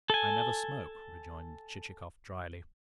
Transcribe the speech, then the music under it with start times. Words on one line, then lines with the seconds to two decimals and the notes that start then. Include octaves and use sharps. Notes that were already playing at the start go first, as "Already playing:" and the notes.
"I never smoke," rejoined Chichikov drily.
0.10 A4 G#5